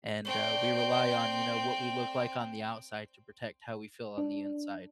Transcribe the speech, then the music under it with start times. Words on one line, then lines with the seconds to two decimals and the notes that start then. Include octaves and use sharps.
And, uh, we rely on, you know, what we look like on the outside to protect how we feel on the inside.
0.25 A3 C4 D4 G5
4.18 D4